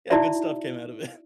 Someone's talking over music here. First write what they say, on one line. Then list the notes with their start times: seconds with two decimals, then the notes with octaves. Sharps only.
yeah, good stuff came out of it.
0.10 D#4 E4 F#4 D5 E5